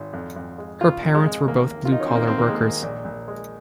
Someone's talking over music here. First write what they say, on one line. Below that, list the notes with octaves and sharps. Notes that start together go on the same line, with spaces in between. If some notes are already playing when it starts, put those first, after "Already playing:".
Her parents were both blue collar workers.
Already playing: G#1
F2
F2
G#3
C#3 F4
F2
G#3
F2
D#2 A#3
D#2
F4
F#3 D#4
C#4
C4
D#3 A#3
C4
D#2 A#3
G#3
D#2
A#1
A#1
G#3